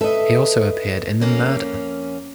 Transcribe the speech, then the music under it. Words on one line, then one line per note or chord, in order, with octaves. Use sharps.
He also appeared in the Murder!
A4 B4 D#5 E5
F2 A#3 C#4